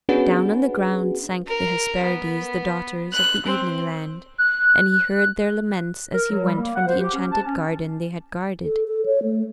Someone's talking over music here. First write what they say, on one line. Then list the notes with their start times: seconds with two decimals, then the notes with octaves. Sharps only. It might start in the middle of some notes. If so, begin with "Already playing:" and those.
Down on the ground sank the Hesperides, the Daughters of the Evening Land, and he heard their laments as he went from the enchanted garden they had guarded.
0.09 B3 C#4 D4 F#4 G#4 B4
1.47 A#4
2.04 B3
3.13 F#6
3.46 C4
4.38 F#6
6.12 A#4
6.31 F#3
6.43 G3
6.57 A#3
6.74 F#5
6.86 C5
6.99 G4
7.13 C#4
7.31 A5
7.44 C#4
8.64 A4
8.88 A4
9.06 C#5
9.23 A3